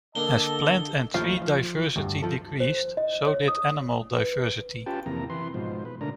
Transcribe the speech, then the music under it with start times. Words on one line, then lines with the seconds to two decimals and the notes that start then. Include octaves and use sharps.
As plant and tree diversity decreased, so did animal diversity.
0.15 D3 A#3 D4 A4 D#5 A5 G7
1.14 D#2 E3 A3 F4 C5 F5
1.42 F3
1.96 D2 G2
2.22 F3 A4
2.60 C5
2.97 D#5
3.27 C#5
3.48 D#6
4.17 B4
4.86 C#4 F4 G4 B4 G5 A5
5.06 F2 C3 E3 A#3 A#5
5.30 E3 B4 C6
5.54 G#2 B2 F3 C5
5.85 B4
6.01 B2 D3 A3 D4 A#4 A#5